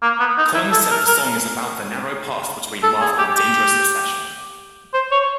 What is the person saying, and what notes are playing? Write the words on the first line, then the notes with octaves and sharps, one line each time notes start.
Collins said the song is about the narrow path between love and dangerous obsession.
A#3
B3
D#4
E4
A4
A#4
A#4
A4
G#4
G4
G4
C5
C#5